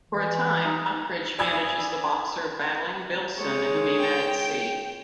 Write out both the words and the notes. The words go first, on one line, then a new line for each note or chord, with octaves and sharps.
For a time Ukridge manages the boxer "Battling" Billson, whom he met at sea.
E3
D#4
D5 G#5 B5 D#6 E6 G#6
G#3 C#5
G5